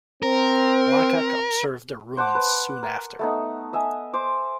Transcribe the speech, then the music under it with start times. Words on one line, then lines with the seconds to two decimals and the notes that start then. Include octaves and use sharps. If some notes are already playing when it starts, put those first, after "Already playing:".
Black Hawk observed the ruins soon after.
0.23 C4 A#4
2.17 C5 F#5 A5 D6
2.35 B4
2.83 A#4
3.19 A3 B3 D#4
3.73 D#5 E5 G#5
4.14 C5 D6